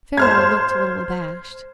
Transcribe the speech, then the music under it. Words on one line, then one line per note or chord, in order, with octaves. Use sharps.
Pharaoh looked a little abashed.
C5 F6 G#6